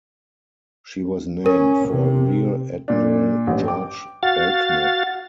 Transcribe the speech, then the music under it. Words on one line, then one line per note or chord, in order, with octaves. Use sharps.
She was named for Rear Admiral George Belknap.
C#4 A#4
C3
A#2 D4
A1 G2
G5 D6
F#4 F5 F#5 A6